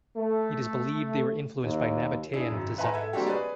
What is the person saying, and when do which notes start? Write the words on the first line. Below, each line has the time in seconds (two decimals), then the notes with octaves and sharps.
It is believed they were influenced by Nabatean designs.
0.16 A3
1.63 D#2
2.33 D4 E4 G#4
2.51 G#1 F#2
2.78 B4 E5 F#5 G#5 A#5
2.94 A4 E5 G#6
3.13 G3 A#3 C4 D4 F#4 G4
3.27 G#4 B4 C#5 D5